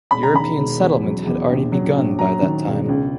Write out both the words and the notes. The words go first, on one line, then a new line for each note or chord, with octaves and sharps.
European settlement had already begun by that time.
E1 B5
A#5
D#3 B5
E1
E2
F#3
E2
A#1
F#3
A#1
F#3 A#5
D#3
E1
C#2